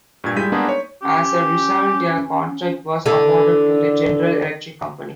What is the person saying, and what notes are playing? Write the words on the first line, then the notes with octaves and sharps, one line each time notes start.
As a result, a contract was awarded to the General Electric Company.
G2 A#2 G#6
G3 G#3 E4 G6 B6 D#7
G#3 A#3 B3 D4 D#4 G#4
C#5
C#4 G4
D3 E4 A4